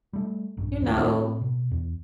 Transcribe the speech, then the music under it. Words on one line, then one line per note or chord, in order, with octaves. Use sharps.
you know,
G3 A3
A#1 G2
C#2 G2 D#3
A2 C4
B2
E2